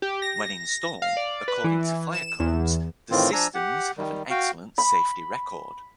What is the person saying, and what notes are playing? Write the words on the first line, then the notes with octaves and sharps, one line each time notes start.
When installed according to fire codes the systems have an excellent safety record.
G4
A#6
F5
D5
B4
E3
E7
E2
A2 D#3 E3 C4 F4
F3 D4 G#5 A#5 E6
G4 F#5
D#3 G3
F#4 F5 G5
B5